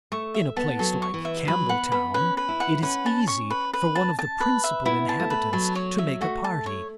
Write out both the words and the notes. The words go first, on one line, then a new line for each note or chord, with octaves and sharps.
In a place like Campbelltown, it is easy for one of the principal inhabitants to make a party.
A3 C#6
E5
B3 A5
F#3 A4
C#6
E3
E5
F#3 B4
B3 F#5
B3 B5
C#4 B4
B4
E4
F#5
C#4 B4
A5
C#6
B4
B4
A5
A5
B4
E5
B3 E4
A5
A3
B4
F#3 A5
C#5
E5
A3 F#4
A5
C#5